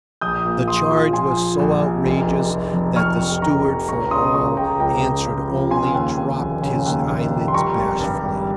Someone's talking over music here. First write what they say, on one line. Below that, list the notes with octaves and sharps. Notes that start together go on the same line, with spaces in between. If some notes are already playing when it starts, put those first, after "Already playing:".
The charge was so outrageous that the steward for all answer only dropped his eyelids bashfully.
A#1 D#6 G6
A#2
A#1 C6 D#6
F3
F3 G#5 C6
F3
A#1
A#1
F1
F1
F1
F1
F2 C#6 F6
F1
F1 A#5 C#6
F1
C#2 A#5 C#6
C#3 C6 D#6
C#2 A#5 C#6
C#2 G5 A#5
C#2 G5 A#5
C#3
C#3
F3
C#3 G#5 C6
D#2
D#2
F1
C#3
D#2
F1
F1
C6
G3 A#5 C#6
G#1
G2
G3